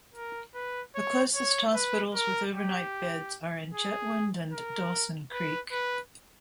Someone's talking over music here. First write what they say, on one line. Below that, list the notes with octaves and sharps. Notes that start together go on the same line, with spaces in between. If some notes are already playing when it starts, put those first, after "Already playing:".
The closest hospitals with over-night beds are in Chetwynd and Dawson Creek.
A#4
B4
C#5
C#5
B4
A#4
G4
G#4
A#4
B4
B4